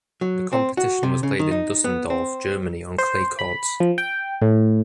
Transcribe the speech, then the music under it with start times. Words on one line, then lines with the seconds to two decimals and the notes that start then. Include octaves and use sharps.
The competition was played in Düsseldorf, Germany, on clay courts.
0.21 F#3
0.53 C4
0.77 F#4
1.03 C3
1.23 C#3
1.39 D#3
1.51 D#4
1.84 B3
2.10 C4
2.98 C5
3.39 B5
3.80 F3
3.98 G5
4.42 A2